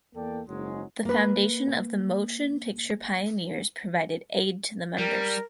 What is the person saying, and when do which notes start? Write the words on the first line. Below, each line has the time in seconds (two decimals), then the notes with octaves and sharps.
The Foundation of the Motion Picture Pioneers provided aid to the members.
0.15 E2 A#3 A4 D5 G5
0.47 F#1 G#2 F#3 G#3
1.05 A#3 B4
4.98 G3 A#4